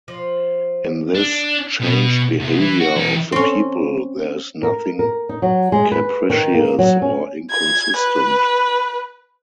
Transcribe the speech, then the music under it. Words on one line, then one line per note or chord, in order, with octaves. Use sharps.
In this changed behavior of the people there is nothing capricious or inconsistent.
F3
D4
B2
C2
E3
F#4
E3 G5
C4 C#4
A#4
A#4
D#4
F#3
G#3
B4
D#3
A#3
F#3
C#4
G#6
B4